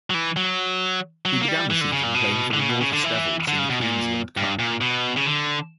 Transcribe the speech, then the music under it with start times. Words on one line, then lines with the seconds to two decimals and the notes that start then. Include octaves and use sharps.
He began the season playing for the Norths Devils in the Queensland Cup.
0.10 F#3
0.14 E3
0.36 F#3
1.25 F#3
1.41 A#3
1.48 G3
1.70 E3
1.81 D3
1.92 C#3
2.03 A#2
2.15 B2
2.54 D3
2.59 C#3
2.69 B2
2.81 C#3
2.93 D3
3.04 E3
3.48 D3
3.59 C#3
3.70 B2
3.81 A#2
4.37 G2
4.59 A#2
4.81 B2
5.16 C#3
5.26 D3